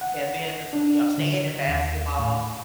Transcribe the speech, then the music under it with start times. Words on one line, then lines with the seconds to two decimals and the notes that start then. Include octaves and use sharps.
and then, uh, you know, staying in basketball,
0.01 F#5
0.73 D4
1.18 D3
1.67 D#2
2.19 A2